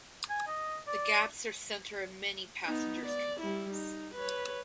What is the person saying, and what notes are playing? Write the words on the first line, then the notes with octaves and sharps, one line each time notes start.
The gaps are center of many passengers complaints.
G#5
D#5
D5
B3 D#4
D5
G3 E4
D#4
B4 C#5